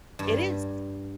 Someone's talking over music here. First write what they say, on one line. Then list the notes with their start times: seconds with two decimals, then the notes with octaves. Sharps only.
it is.
0.19 G2